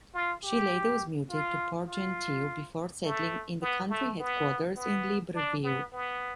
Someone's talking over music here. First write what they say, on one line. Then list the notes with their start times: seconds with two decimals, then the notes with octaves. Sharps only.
She later was muted to Port-Gentil before settling in the country headquarters in Libreville.
0.14 F4
0.43 G4
1.30 F4
1.88 F4
3.04 A3
3.62 B3
3.90 A3
4.19 B3
4.77 B3
5.35 D4
5.64 B3
5.93 B3